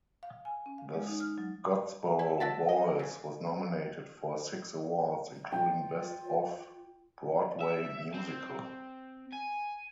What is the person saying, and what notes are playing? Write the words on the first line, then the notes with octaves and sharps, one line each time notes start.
"The Scottsboro Boys" was nominated for six awards, including Best Off-Broadway musical.
F5
G#5
C#4
F5
G#3
D#4
F6
F#3
E4
F#4 E5 A5
D#5
C#3
F4 G5
E5
C4
G#5